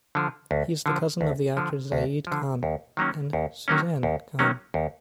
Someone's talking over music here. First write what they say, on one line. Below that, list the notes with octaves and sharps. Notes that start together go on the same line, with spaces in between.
He is the cousin of actor Zayed Khan and Suzanne Khan.
D3 F3
D2
D3 F3
D2
D3 F3
D2
D3 F3
D#2
D#3 F#3 A#3 C#4
D#2
D#3 F#3 A#3 C#4
D#2
D#3 F#3 A#3 C#4
D#2